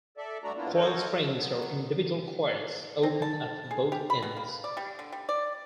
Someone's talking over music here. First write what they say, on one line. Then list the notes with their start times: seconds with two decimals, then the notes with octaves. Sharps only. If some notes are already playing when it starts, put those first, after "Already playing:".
Coil springs are individual coils, open at both ends.
0.17 A4 D5 E5
0.44 G2 A3 D4 F#4 D5 A#5
0.56 A#3 B3 D4 E4 F4
0.75 F#4 A4 A#4 C5 C#5 D#5
1.11 E5
1.37 F#3 B3
3.03 C4
3.22 A5
3.71 G#4
3.92 G4
4.10 B5
4.22 B2
4.37 A#3
4.64 D5
4.77 G3
4.99 D3
5.12 G3
5.29 D5